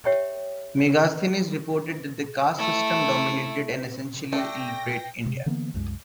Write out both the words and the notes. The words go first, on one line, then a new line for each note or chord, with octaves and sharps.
Megasthenes reported that the caste system dominated an essentially illiterate India.
G4 C#5 E5 G5
A3 E4
A3 D4 G5 A#6
C3
D3 E3 A#3 B3
C2 F#2 G#3